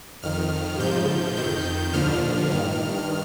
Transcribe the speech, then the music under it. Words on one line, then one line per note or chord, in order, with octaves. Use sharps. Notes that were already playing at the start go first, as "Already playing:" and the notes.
Roe novels among other volumes.
F2 D#3 F6
G#2 F3 G6
F2 D#3 G6
D#2 D3 F3 F6
G2 D#3